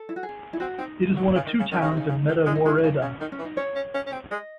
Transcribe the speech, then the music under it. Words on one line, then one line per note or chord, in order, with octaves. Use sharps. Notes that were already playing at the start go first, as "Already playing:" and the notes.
It is one of two towns in Meta woreda.
Already playing: A4
E4
F#4
G#4
E4
C4 F#4
C4 D#4
F#3
C#3
D#3
C#3
D#3 C#4
C#3
D#4
C3
C#3 D#4
C#3
D#3
G#3 E4
D#4
G#3 E4
C#4
C#3 D#4
C#3 C#4
D#3 D#4
C#4
E3
D#4
C#4 C#5
C#4
C#4
C#4
C4
G#3 D#5